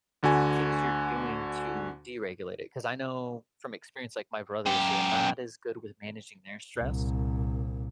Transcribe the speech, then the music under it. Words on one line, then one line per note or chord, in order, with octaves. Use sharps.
things you're doing to deregulate it? 'Cause I know from experience like my brothers, they're not as good with managing their stress,
D2 D3 F#4 G#5
F#2 G4
C2 A#2